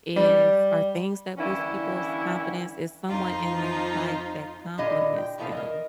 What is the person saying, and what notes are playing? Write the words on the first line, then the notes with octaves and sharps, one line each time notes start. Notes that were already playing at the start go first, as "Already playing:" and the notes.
is or things that boost people's confidence, is someone in their life that compliments them,
G3
D3 E3 G3 A#3 C#4 E4
F2 F3 D#4 F4
A#2 D3 E4 G4 D#5 F5
G5
A#2 F3 B3 E4 A4 F5
A#4 D#5